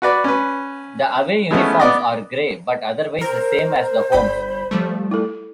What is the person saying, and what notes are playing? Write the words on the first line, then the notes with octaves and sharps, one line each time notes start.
The away uniforms are grey, but otherwise the same as the homes.
F#4 B4 D5
C#4 B4
E3 F3 G#3 A3 B3 C#4
B3 D5 D#5
A#4 C5
G1 D5 G5 B5 G6
F3 G3 A3
E4 A4